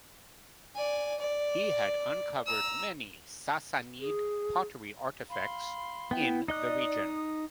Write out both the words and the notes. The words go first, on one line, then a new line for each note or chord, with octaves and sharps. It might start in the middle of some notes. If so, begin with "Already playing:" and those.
He had uncovered many Sassanid pottery artifacts in the region.
D5 G#5
D5
A#5 E6
G#4
F5 B5 C6
B3 E4 G5
D#4 D5 D#5 D#6 F#6